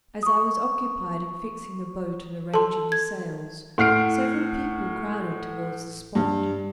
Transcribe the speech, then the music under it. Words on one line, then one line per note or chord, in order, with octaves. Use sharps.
As I was occupied in fixing the boat and arranging the sails, several people crowded towards the spot.
C#6 D#6
A4 A5 C6
G#6
A2 F#5 F6 C7 D7
G2